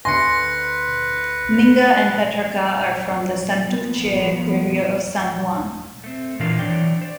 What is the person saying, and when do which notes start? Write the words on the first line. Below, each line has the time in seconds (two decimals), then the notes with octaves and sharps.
Minga and Petraca are from the Santurce area of San Juan.
0.05 D2 D3 B4 G#5 C6 A#6 C#7
3.62 F3 B3
6.04 A3 C4
6.39 A#2 E3 D4 F4 A#4 F5
6.59 E3 F#3 D4 C#5 D5 G5
7.01 C5 D5